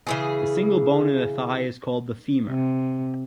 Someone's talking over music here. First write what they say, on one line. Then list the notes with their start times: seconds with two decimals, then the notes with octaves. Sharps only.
The single bone in the thigh is called the femur.
0.07 C#3 E3 G#4
2.47 C3